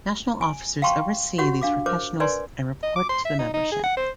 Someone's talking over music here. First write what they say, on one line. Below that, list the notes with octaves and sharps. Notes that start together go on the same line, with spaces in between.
National officers oversee these professionals and report to the membership.
G#5
F5 G5 A#5 C6 C#6
F#4 G4 C#5 F#5 C#6
D4 F5 D6
A#4 C5 C#5 D6
A#4 B4 C#5 D5 G#5 C6
D#5
D6
C6
E5
D#4
D#4
G#4
F#5
C5